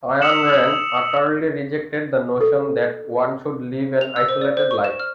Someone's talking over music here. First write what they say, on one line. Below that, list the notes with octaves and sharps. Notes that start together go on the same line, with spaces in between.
Ayn Rand utterly rejected the notion that one should live an isolated life.
D#6 E6 B6 C#7 E7 F#7
A4
F7
E6
C5
D5
C5
C#6
E7
F6